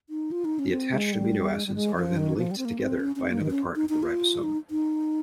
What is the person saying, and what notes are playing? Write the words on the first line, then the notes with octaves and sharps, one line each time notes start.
The attached amino acids are then linked together by another part of the ribosome.
D#4
F4
D#4
C#4
C4
G#3
G3
G#3
G3
G#3
F3
D#3
F3
G3
C4
A#3
C4
C#4
C#4
C4
A#3
D#3
C#4
D#4
D#4
F4
D#4
D#4